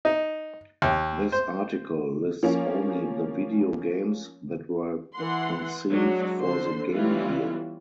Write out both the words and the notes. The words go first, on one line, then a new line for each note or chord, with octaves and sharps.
This article lists only the video games that were conceived for the Game Gear.
D#4
D#2
C5
F3 A#3 C#4
E3 F#5 C6
F#3 G#3 D4 F#4
D3 C5 C6
E3 G3 B3 C#4 E4 F4